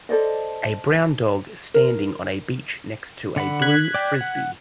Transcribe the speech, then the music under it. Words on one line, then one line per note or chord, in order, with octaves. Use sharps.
A brown dog standing on a beach next to a blue Frisbee.
A4 C5 D5 D#5
A#4
D3 F#5 B5
F#6 G#6 B6
D5 G5
F#5